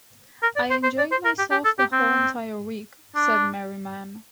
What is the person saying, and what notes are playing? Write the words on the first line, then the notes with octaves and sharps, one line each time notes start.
"I enjoyed myself the whole entire week", said Merriman.
A#4
D5
C5
C5
D5
C5
A#4
G4
G4
A4
G4
C4
D4